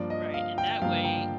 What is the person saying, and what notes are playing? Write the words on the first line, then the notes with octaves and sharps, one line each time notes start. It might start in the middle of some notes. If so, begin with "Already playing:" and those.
Right, and that way,
Already playing: G2 F3 A#3 D5
D#5
F5
G5
G2 F3 A#3 F5
G5